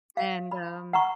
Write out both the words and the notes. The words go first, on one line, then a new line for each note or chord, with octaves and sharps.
And, um
F5
B5
F#5 A#5 C#6